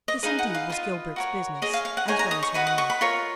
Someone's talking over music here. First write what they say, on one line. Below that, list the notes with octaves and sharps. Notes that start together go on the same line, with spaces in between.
This indeed was Gilbert's business as well as her own.
D#5
D#4 G#4 B4 F5
F#5
F5
F4 B4 D#5
F#4 A#4 C#5
G#4 C#5 D#5
F5
F5
F#5
D#4 G#4 C#5 G#5
A#5
D#6
C#6
F#4 B4 D#5 B5
F#5
C#6
B5
F4 A#4 C#5 C#6